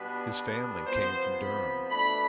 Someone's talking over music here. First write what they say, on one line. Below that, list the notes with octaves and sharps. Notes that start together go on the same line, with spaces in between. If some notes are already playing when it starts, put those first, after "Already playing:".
His family came from Durham.
Already playing: B2 G3 B3 D4 B4
C3 F3 B3 C5
B5
B2 A3 D4 B5